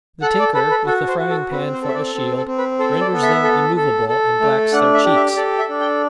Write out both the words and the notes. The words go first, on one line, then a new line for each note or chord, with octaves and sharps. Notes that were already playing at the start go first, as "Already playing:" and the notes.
The tinker, with the frying-pan for a shield, renders them immovable, and blacks their cheeks.
A4 F#5
D5
A4 B4
B4
F#4 A4
C5
F#4
A4
C4 B4
C5
A4
E5
D5
C4
A4
C4
B4
A4 C5
D5
B3
E5
A4
A4
A4
A3
D4 F#5
E5
G4
E5
A4 D5
E5
D4
G5